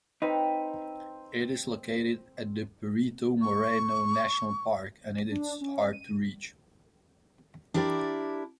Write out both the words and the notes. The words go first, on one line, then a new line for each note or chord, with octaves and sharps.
It is located at the Perito Moreno National Park, and it is hard to reach.
C4 D#4 B4
C#6
D4
C#4
D#7
D4 E4 G4 A#4 C5 D5